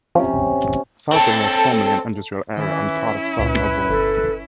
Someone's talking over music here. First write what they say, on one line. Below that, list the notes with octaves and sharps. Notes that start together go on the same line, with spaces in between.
Southbank was formerly an industrial area and part of South Melbourne.
C3 F3 C#4
C4 A4 C#5
D#3 E3 C#4 E4
C#2 A#2 B4
G1 A4